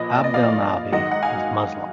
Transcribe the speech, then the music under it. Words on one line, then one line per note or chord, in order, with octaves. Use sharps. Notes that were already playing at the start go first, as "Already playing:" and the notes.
Abdelnaby is Muslim.
Already playing: A#2 F3 B4 D#5
D5
D#5
D5 F5
G#2 D#3 F#3 D#5 F#5
F#5
F5 G#5